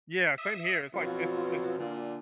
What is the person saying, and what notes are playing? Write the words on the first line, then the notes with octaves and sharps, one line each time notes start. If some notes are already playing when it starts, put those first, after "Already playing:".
Yeah, same here. It's like it's it's
E5 D#6 E6
F2 B2 F#3 F4
A#2 D3